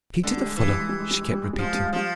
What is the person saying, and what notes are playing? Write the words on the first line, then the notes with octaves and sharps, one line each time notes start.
"Peter the fuller!" she kept repeating.
D3 G#3
G3
G#3
E3
G3
G#3
G3
G#3
G3
G#3
G3
G#3
G3
F3
G#3
G3
G#3
F3 G3